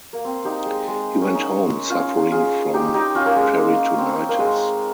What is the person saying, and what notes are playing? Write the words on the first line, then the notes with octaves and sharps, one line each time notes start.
He went home suffering from peritonitis.
A#3
C4
D#4 G4
G#3
G#3
C#4
D#4
C#4 F4
F4 G#4
D#4 G4
D#4 G4
C#4 F4
A#3
G#3
A#3
C4
A#3
G#3